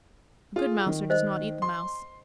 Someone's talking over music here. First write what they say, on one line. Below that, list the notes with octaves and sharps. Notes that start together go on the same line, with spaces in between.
A good mouser does not eat the mouse.
F4 G#4
D#3
C5 D#5
C6